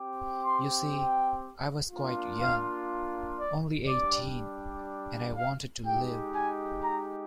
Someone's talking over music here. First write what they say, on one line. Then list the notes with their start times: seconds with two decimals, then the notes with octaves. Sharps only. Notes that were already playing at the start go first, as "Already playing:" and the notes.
You see, I was quite young — only eighteen — and I wanted to live.
Already playing: C4 G4
0.44 C6
0.93 G5
1.91 A#3 D4 F4
2.40 F5
3.38 D5
3.87 G3 D4 G4 D5
5.36 F5
5.84 G#3 D#4 G4 G5
6.33 G#5
6.82 A#5